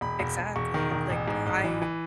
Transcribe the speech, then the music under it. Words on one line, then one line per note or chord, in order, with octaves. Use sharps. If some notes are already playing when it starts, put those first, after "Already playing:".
Exactly, like, I
E1 B5
E1
E1
E1 C#6
D#3
E1
A1
G#2
A1
E3
E3